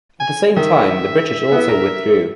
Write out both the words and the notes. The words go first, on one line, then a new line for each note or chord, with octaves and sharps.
At the same time the British also withdrew.
G#5
D#3 E5
B3 E4
A#4